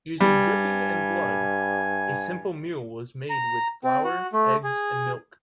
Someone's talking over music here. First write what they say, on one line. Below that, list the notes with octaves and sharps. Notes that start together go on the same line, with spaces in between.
Using dripping and blood, a simple meal was made with flour, eggs and milk.
G2 G3 G#5
A#5
C4
F#4
A3
G#4